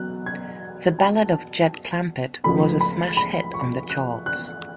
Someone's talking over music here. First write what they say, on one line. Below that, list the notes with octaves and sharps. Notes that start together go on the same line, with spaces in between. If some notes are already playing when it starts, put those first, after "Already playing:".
"The Ballad of Jed Clampett" was a smash hit on the charts.
Already playing: B2 F#3 F#6
G#6
A5
C#2 C#3 F3 A3 B5
B5
B5
C#6
F#6
F#6